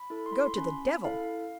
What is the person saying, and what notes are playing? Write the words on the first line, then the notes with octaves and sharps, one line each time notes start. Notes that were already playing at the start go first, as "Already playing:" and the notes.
Go to the devil!
Already playing: B5
E4 A4
C6
B5
C6
C#4 B5
E4 A4 F5